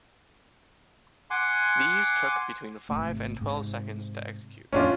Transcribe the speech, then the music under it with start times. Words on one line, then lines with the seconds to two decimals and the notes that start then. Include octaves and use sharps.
These took between five and twelve seconds to execute.
1.30 F#5 G#5 C6 D6
2.89 G#1 C3 A3
3.41 G#2 C3
4.73 F2 A2 C#4 D4 F4